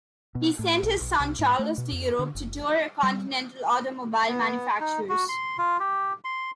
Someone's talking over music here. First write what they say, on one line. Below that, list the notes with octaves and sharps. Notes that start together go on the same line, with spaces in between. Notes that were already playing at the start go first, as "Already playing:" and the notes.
He sent his son Charles to Europe to tour continental automobile manufacturers.
B2
A2
B1
B1
C2
G#2
A3
B2
F2
D3
F#1
G3
B3
D#4
F#4
C6
F4
G4
C6